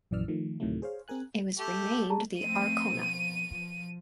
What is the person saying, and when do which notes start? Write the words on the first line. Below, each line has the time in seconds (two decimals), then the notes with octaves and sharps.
It was renamed the "Arkona".
0.11 A#1 F#2 E3 D5 E6 F6
0.28 D#3 F3 A3
0.60 D2 A2 C3 D#3 F#3 A3
0.82 G#4 C5 C#5 F5
1.08 C4 G#4 A#4 G#5 F#6
1.59 A3 G4
2.10 G#4 A5 A#5
2.38 F3 A3 C4 D#7
2.93 B2 F3
3.46 F3